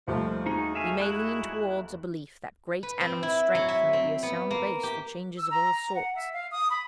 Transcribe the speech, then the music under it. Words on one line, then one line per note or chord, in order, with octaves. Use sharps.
We may lean towards a belief that great animal strength may be a sound base for changes of all sorts.
D#2 F3 G3 A3
D#4 F#4 G#4
E5 F5 G#5
E4 F#6
B4
C4
E4
F#3
E5
C4
B3
A#3
G4
E6
A#5
F#5
E5
F5
D#6
B5